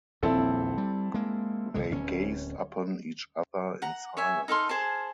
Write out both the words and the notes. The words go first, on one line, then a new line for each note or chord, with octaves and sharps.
They gazed upon each other in silence.
D#1 A#1 E2 C4 E4 A4
G3
G#3 A#3
C2 D3 G#3
D1 C#4
F#5 A#5
C#5 E5 G#5
D#4 A4 F5 C6
G#4 C5 A5